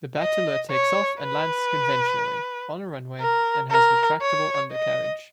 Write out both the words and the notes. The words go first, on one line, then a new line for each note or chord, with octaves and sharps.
The Bateleur takes off and lands conventionally, on a runway, and has retractable undercarriage.
D#5
C#5
B4
A#4
A#4
C#5
D#5